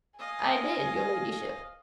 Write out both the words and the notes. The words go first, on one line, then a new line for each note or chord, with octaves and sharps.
"I did, your ladyship."
D#5 F5 G#5